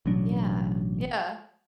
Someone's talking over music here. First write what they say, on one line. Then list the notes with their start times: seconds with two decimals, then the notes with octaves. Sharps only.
Yeah. Yeah.
0.06 A1 B2 F#3 D4